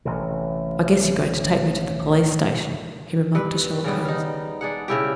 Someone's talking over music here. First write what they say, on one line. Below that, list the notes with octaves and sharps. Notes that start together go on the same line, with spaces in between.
"I guess you're going to take me to the police-station," he remarked to Sherlock Holmes.
A1 C3
G2 B4
C#3 G3 B3
D#4 F5
D4 G#4 F#5
C#3 E4 G4